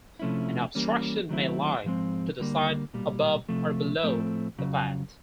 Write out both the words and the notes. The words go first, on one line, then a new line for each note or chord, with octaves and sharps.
An obstruction may lie to the side, above, or below the path.
C3 F3 A3 C#4 E4
E3 G3 A#3 C#4
D#3 F#3 A3 C4 E4
G#2 F3 G#3 C4
D2 D3 G3 A#3
B1 A#2 G3
C2 C3 F3 A3
A2 F3 A3 C4
F2 C#3 F#3